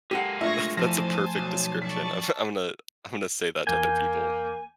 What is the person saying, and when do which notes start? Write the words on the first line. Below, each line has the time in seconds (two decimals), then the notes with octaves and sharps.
That's that's a perfect description of I'm gonna I'm gonna say that to other people.
0.11 G#3 A#3 G4 A4 F#5
0.41 A3 D4 F4 E5 C#6 G#6 A#6
0.77 F2 E3 F3 A3 C5 G#5 A5 A#6
1.35 B1
1.82 D5 A5 C#6 B6
3.67 E2 A#3 G#5 G6